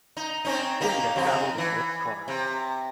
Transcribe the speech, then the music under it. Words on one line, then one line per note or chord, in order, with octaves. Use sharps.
Celia travelled in this car.
D#4
C4 C#4 D#4
A#3 D#4 G4
F2 C4 D#4
E3
C3